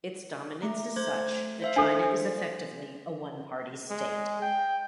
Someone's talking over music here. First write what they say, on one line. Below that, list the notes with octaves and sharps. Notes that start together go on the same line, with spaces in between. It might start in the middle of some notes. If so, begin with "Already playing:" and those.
Its dominance is such that China is effectively a one-party state.
A3 A#5
A3 C5 G#6
C5 E5 F5
D4 A4 C5
G#3
G5